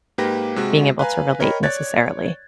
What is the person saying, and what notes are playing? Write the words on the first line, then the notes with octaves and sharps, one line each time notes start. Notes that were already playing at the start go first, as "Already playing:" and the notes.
being able to relate necessarily.
G#2 A#3 G4 B4 G5 A#6
C3 G#3 F#4
B4 F5 G#5 A#5
A#4 C#5 D#5 G5 B5
C#5 D5 F#6 G#6 A6